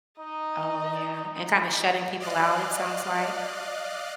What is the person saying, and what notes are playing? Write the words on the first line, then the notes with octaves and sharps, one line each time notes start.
Oh, yeah, and kinda shutting people out, it sounds like.
D#4 D#5
D5 D#5 F5 F#6